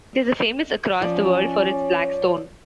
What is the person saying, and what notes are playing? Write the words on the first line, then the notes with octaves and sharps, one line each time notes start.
It is famous across the world for its Black stone.
F3 C#4 D5
C#5